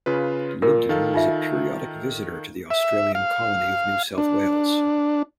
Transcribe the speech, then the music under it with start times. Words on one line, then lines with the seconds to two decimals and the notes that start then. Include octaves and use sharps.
Ludlam was a periodic visitor to the Australian colony of New South Wales.
0.06 C#3 F4 B4
0.62 A#2 F4 A#4
0.89 D#3 A4 F5
1.14 D#4 F4 E5
2.70 E5
3.15 F5
4.18 D4